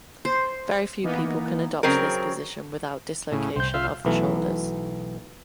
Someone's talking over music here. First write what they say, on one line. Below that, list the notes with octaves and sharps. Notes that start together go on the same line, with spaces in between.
Very few people can adopt this position without dislocation of the shoulders.
C5
E3 A#3 B3 D#4
C#3 F#3 C4 A#4
A2 C#3
C2 C5 G6
F4 E5 F5
B1 E3 A3